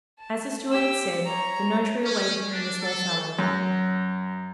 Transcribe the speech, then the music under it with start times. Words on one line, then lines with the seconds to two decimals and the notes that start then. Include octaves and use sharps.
As the steward had said, the notary awaited him in the small salon.
0.19 A5
0.71 G4 E6
1.25 C#5 A#5
2.05 C#4
2.51 D4
2.83 A4
3.39 F#2